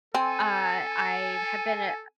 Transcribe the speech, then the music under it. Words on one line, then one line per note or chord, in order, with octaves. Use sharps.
Uh, I've have been a a
C4 A4 G#5